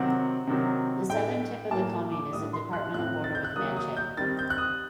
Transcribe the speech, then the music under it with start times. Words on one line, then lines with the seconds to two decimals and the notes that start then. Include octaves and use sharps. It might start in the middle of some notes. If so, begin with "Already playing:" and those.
The southern tip of the commune is the departmental border with Manche.
Already playing: C3 D#3 F#3 C4 F#5
0.47 C3 D#3 F#3 C4
1.09 A2 A3 D4 G5
1.71 A2 G3 A#3 A5
2.12 D6
2.32 A2 G3 D4 D#6
2.53 C6
2.73 F#6
2.94 A2 F#3 C4 F#6
3.24 A6
3.35 G6
3.44 F#6
3.56 D#3 F#3 A#3 D#6
3.77 D#6
3.97 G6
4.17 D#3 G3 C4 A6
4.39 G6
4.50 F#6
4.58 D#6